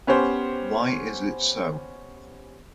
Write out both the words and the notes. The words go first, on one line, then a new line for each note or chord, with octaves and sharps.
Why is it so?
B3 C#4 G4 C5